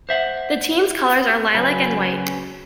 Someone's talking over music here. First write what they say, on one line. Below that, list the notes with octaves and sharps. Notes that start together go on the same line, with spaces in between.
The team's colours are lilac and white.
C5 E5 F#5
C#3 F#3 C#4 B4